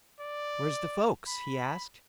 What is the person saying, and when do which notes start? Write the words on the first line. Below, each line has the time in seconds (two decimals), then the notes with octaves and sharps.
"Where's the folks?" he asked.
0.20 D5
1.27 B5